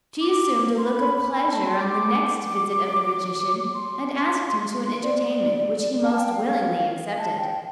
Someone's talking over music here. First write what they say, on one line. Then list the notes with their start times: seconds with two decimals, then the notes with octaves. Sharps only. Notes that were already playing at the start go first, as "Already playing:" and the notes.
She assumed a look of pleasure on the next visit of the magician, and asked him to an entertainment, which he most willingly accepted.
0.21 D6
0.78 C6
0.85 B5
1.17 B5
1.33 B5
1.49 A5
1.66 C6
1.81 D6
2.46 D6
3.74 C6
5.03 D5
6.05 A5
6.19 G5
6.32 F5
7.18 A5
7.39 G5